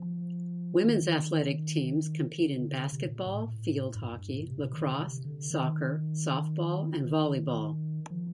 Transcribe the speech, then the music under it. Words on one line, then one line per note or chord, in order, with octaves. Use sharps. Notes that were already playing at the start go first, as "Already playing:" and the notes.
Women's athletic teams compete in basketball, field hockey, lacrosse, soccer, softball and volleyball.
Already playing: F3
D#3
D3
C3
A#2
A2
G2
G2
A#2
C3
C3
D#3
D3
C3
D3
D#3
D#3
F3